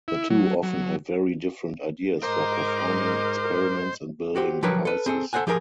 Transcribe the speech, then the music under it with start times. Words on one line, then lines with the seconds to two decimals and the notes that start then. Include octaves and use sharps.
The two often have very different ideas for performing experiments and building devices.
0.08 E4
0.30 F#3
0.63 F#3
2.23 G#2 A#4 C5 D#5 D6
4.36 F#4 G4 C5
4.63 F3 F#3 G4 A#4 B4 C#5
4.85 A4 B4
5.06 C4 G#4 A4
5.33 A4 C5 D#5 F#5 G#5
5.47 F3 G4 G#4 A#4